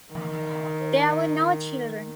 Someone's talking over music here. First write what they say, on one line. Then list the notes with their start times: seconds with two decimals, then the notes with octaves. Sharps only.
There were no children.
0.14 D#3